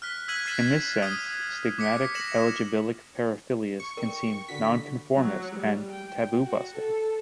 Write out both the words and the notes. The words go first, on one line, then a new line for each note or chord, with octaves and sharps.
In this sense, stigmatic-eligibilic paraphilias can seem 'non-conformist' and 'taboo-busting.
F6 F#6 B6
E6 F#6 G#6 B6 D#7 F#7
F6 F#6 A6 C7 D#7 E7
D#6 F6 G#6 D#7
D6 B6 C#7
A#6 C#7 E7 F#7
C#6
A#4 G5 A#5
D3 F#4 B4 B6
F#3
G3
G5
F#4
A4